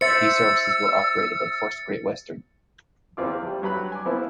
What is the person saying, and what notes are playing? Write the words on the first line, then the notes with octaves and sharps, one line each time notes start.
These services were operated by First Great Western.
C5 E5 E6 A6 C#7
E2 E3 C4 F4 D6
F3 G3
G2 F#3 B4 B5 F#6
G#5 D6
F3 B3 C4 E4 F4